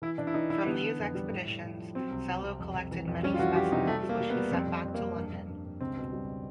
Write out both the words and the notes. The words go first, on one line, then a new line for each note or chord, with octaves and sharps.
From these expeditions Sellow collected many specimens which he sent back to London.
E3 E4
E3 D4
E4
E3 D#4
E3 E4
D3 B3
D3
F2
G3
A2
A2
A2
F3
F#3 C4
C2
C2
C2
F2
F2
E3
F2
G3 C#4
F4
E3 F#4
G3 G4
C3 D#4
G3 A3
G3
A#3
G3
B3
G3
F2 C4
F2
F2
A#3
F2
G2
G2
G2
G2
C#2 C4
B2
G3